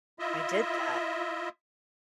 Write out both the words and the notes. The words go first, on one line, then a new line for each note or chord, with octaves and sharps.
I did that.
E4 F4 D#5 E5